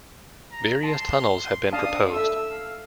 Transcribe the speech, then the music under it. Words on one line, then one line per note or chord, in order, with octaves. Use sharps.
Various tunnels have been proposed.
A#5
A5 C6
D4 F5 A5 D#6
A4 E5 E6
F5